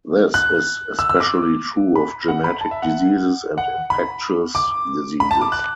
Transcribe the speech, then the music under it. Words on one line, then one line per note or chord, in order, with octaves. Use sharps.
This is especially true of genetic diseases and infectious diseases.
F#6
E6
E6
D6
B5
F#5
B5
A5
E5
F#5
F#5
B5
D6
B5
A5
D6
F#6